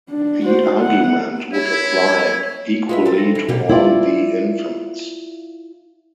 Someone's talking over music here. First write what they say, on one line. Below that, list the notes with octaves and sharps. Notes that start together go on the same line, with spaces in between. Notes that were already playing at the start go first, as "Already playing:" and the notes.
The argument would apply equally to all the infants.
D4
F#4 C5
E4 F#5
E4 C#5
G#3 F4 B4 E5
C4 A4
A#6
E3
B2 G3 A#3
E4 F4 D5